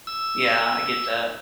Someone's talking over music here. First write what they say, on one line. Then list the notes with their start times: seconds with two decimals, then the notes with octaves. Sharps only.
Yeah, I get that.
0.07 E6